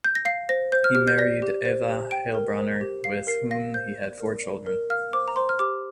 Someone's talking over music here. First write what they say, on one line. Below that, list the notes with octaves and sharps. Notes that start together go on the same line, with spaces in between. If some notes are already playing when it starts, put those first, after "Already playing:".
He married Eva Heilbronner with whom he had four children.
G6
A#6
F5 C7
C5 A#6
C5 G6
F6
G4 F6
G6
D5 A#6
G4
C5
G4
G5 D7
A#4
C5
G4
F5 C7
A#4 C7
F5 A#6
C5 G6
D5
A#4
D5
A#4
F5 F6
C5 D6
A#5
C5 C6
F6
G4 D6